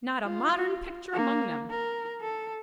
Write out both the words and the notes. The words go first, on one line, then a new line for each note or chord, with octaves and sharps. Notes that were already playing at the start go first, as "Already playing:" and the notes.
Not a modern picture among them.
F4
A#3
A#4
A4